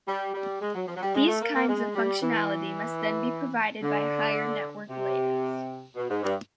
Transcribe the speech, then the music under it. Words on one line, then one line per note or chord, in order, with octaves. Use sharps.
These kinds of functionality must then be provided by higher network layers.
G3
G3
G#3
F#3
F3
F#3
G3
G#3
A3
A#3
A#3
G#3
G3
E3
D3
C3
B2
G#2
G2